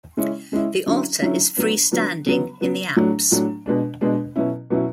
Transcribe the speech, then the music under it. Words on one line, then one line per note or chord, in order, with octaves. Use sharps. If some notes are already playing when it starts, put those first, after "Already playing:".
The altar is free-standing in the apse.
C#3 G#3 C#4 E4
C#3 G#3 C#4 E4
D3 F#3 C#4 E4
D3 F#3 C#4 E4
D3 F#3 B3 D4
D3 F#3 B3 D4
C#3 F#3 B3
C#3 F#3 B3
A2 F#3 A3 D4
A2 F#3 A3 D4
B2 G#3 D4
B2 G#3 D4
B2 F#3 C#4 E4
B2 F#3 C#4 E4